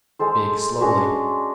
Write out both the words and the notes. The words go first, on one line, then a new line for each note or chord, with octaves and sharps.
Bake slowly.
G#3 A4 C5
G#3 C#4 D4 F#4